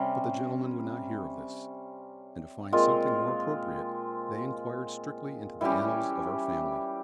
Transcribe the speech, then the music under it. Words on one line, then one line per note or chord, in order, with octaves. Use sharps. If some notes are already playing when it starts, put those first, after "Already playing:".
But the gentlemen would not hear of this; and to find something more appropriate, they inquired strictly into the annals of our family.
Already playing: C3 G3 C#4
A#2 G#3 C4 F4
E3 G3 C#4 G4